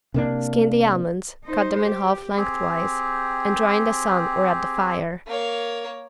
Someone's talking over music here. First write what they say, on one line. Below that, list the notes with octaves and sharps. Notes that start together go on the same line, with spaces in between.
Skin the almonds, cut them in half lengthwise and dry in the sun or at the fire.
C3 A#3 D4
D#4 C5
G4
C4 G4 G#4
A#3 C#5